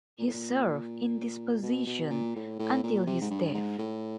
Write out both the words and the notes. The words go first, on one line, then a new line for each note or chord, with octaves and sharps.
He served in this position until his death.
A#2
A2
A#2
B2
B2
A#2
A2
A2
A#2
C3
G#2
G2
G#2
A2